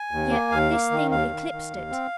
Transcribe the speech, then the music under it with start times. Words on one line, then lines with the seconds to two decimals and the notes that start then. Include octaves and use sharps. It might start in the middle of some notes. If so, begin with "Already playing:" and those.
Yet this Thing eclipsed it.
Already playing: G#5
0.11 D#2
0.30 A#3
0.51 D#2 F5
0.71 A#3
0.91 D#3
1.11 D#2 F5
1.31 D#3
1.51 D#3
1.70 D#2
1.90 C4